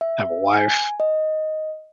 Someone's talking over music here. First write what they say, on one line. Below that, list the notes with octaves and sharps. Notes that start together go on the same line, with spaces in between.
I have a wife,
E5
G#5
D#5